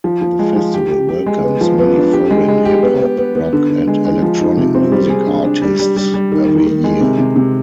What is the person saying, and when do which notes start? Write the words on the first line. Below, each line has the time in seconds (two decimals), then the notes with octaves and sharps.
The festival welcomes many foreign hip-hop, rock and electronic music artists every year.
0.04 F3
0.21 F3
0.39 G#3
0.56 F3
0.74 G4
0.91 G4
1.09 G4
1.26 G#3
1.43 B3
1.61 F3
1.79 B3
1.96 D4
2.13 G4
2.30 G#3
2.48 G#3
2.65 G4
2.83 B3
3.01 B3
3.18 B3
3.35 B3
3.53 D3
3.70 D3
3.88 G#3
4.05 G#3
4.22 F3
4.40 D#4
4.57 C3
4.75 C4
4.92 G3
5.09 G#4
5.27 D4
5.44 D4
5.62 G3
5.79 G3
5.96 G3
6.14 G3
6.32 D#3
6.49 D#3
6.66 D#3
6.84 G#3
7.01 C3
7.19 C3
7.36 C3